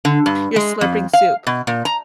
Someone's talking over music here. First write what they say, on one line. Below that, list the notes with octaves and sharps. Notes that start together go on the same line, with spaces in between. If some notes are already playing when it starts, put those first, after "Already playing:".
you're slurping soup,
D3
G2
G#3
F2
F5
B2
A#2
A#5